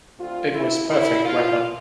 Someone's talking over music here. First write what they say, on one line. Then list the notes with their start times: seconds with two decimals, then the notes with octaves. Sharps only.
It was perfect weather.
0.18 D3 A3 C4 F4
0.53 E4
0.89 C3 E3 G#3 E4
1.25 F4